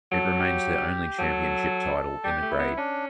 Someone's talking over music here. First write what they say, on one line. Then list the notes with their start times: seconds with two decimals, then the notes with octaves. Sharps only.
It remains their only championship title in the grade.
0.12 F#3 A4
0.39 G4
1.18 F#3 A4
2.24 G3 G4
2.42 A3
2.50 E4
2.59 B3
2.77 C#4 D4